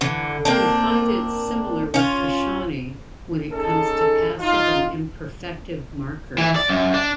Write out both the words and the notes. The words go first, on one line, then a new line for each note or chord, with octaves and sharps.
We find it similar with Kashani, when it comes to passive and imperfective markers.
D3 E3
A#3 C4 D4
C#4 F4
C#4 D#4 G#4 A4
D#4 F4
E3
D5
F#2
D4